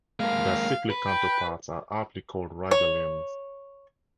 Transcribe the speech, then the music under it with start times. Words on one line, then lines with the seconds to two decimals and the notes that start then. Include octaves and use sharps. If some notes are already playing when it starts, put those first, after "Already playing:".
Their cyclic counterparts are aptly called radialenes.
0.20 G#3 A#3 F5
0.90 B4
1.07 G5
2.71 C#5